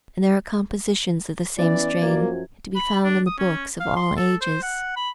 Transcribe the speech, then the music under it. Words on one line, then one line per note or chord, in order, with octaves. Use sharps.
And there are compositions of the same strain to be found in the books of all ages.
E3 B3 C#4 D5
F#2 F3 A#3 F#4 G#6
B5
D4
D#6
C#4
F5
C6
A4
C5
F#5
B5